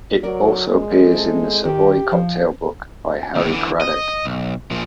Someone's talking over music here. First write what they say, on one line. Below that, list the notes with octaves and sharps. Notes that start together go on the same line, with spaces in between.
It also appears in "The Savoy Cocktail Book" by Harry Craddock.
F#3 A#4 D5
G#3
C4 E4 A4
D#3 G4
F3
D#2 A2
D3 E3
D#5
B1
A#2 F3